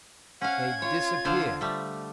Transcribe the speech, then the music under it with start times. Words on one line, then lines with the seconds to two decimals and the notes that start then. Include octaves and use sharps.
They disappear.
0.41 C#4 F5 F#5 G#6
0.82 F4 C#5
1.25 D3 C5 F5
1.61 G3 A3